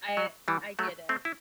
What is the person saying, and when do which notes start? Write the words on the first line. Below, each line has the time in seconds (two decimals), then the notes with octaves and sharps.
I I get it.
0.17 F#3
0.48 E3 G3
0.79 F#3 A3
1.09 A3 C4
1.25 E4